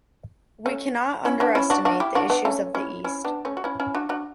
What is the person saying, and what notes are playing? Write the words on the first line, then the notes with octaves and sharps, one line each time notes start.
We cannot underestimate the issues of the East.
A3 C#4
C#4 E4
B3 D4
C#4 E4
D4 F#4
D4 F#4
E4 G4
D4 F#4
B3 D4
A3 C#4
C#4 E4
C#4 E4
B3 D4
A3 C#4
F#4
C#4 E4
C#4 E4
D4 F#4
D4 F#4